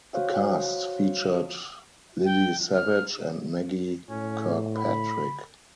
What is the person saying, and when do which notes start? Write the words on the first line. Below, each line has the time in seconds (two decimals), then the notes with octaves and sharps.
The cast featured Lily Savage and Maggie Kirkpatrick.
0.14 F#4 C5 C#5 F5
2.25 G5
2.74 F6
4.09 A2 C#4
4.76 B5